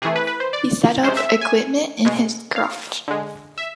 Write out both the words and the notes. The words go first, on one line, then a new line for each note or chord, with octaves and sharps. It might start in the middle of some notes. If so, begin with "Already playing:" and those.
He set up equipment in his garage.
C3 E3 A3 G#4
B4
B4
C5
D5
C3 G#3 C5
E5
E5
G#5
B2 G#3
F5
D3 G#3
E5